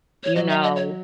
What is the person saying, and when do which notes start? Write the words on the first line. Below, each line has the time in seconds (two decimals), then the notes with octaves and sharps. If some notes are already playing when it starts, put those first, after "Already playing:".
you know,
0.24 C#5
0.36 F#3 D#5
0.49 E5
0.63 D#5
0.76 C#5